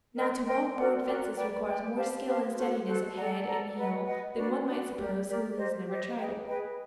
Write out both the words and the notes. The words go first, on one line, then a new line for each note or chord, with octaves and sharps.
Now, to "walk" board fences requires more skill and steadiness of head and heel than one might suppose who has never tried it.
A#4 D#5 G5 C6
A#4 D#5 G5 C6
F#4 A#4 D5 F#5
F#4 A#4 D5 F#5
B4 D5 G5
B4 D5 G5
G4 C5 F5 A5
G4 C5 F5 A5
F#4 A4 C5
F#4 A4 C5
A4 D5 F#5 A#5
A4 D5 F#5 A#5
B4 D#5 F#5
B4 D#5 F#5
D4 F#4 B4 D5
D4 F#4 B4 D5
G4 A#4 D5
G4 A#4 D5
G4 C5 D#5
G4 C5 D#5
G#4 B4 D#5 G5
G#4 B4 D#5 G5